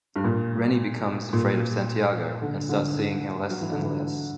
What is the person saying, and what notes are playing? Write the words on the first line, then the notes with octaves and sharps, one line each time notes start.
Reny becomes afraid of Santiago and starts seeing him less and less.
G2
A#2
A#2
D3
D3
F#3
E3
D3
E3